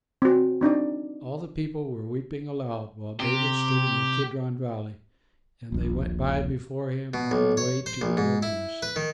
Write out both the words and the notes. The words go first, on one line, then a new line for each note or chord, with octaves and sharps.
All the people were weeping aloud while David stood in the Kidron valley, and they went by before him on the way to the wilderness.
C4 F#4
C4 D4 D#4 D5
C3 G4
D#1 A#1
B2
B1
C#5
C5
A#1
G#2
E4
B4
D#3